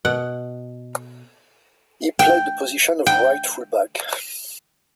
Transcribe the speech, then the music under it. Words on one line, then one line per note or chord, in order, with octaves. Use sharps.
He played the position of right full back.
B2 F#5
G5
G5